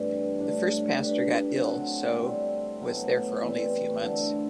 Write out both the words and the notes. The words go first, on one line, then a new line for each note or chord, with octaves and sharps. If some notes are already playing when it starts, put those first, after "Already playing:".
The first pastor got ill, so was there for only a few months.
Already playing: G2 E3 G3 A3 C4
A2 G3 D4
G3 D4 G4 B4
F#3 A3 C4 F#4
G3 C4 E4
B2 F#3 A3
E3 G3 C4 E4
D3 A3 E4 A4